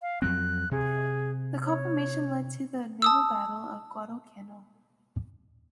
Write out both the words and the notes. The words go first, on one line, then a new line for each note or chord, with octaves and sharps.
The confrontation led to the Naval Battle of Guadalcanal.
F5
F2 F#3 C4 F#6
C3 G#4
C#5
A5 D#6 E6